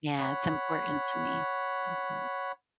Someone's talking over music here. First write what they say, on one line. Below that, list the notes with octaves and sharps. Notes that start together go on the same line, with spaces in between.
Yeah, it's important to me, it's important.
C#5 F#5 B5